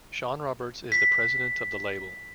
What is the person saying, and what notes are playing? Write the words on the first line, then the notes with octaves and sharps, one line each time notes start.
Sean Roberts is the president of the label.
B6